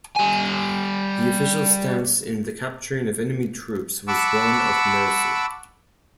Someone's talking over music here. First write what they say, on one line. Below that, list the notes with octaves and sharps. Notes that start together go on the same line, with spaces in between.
The official stance in the capturing of enemy troops was one of mercy.
G3 G#5
F#5 A5 B5 C#6 D6 E6